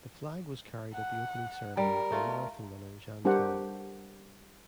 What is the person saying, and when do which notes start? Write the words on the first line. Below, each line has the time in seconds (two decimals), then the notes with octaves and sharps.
The flag was carried at the opening ceremony by marathon runner Jan Tau.
0.94 F#5
1.77 G3 A#4
2.12 A3 F4
3.25 G3 D4 G4 A#4 C5 F#5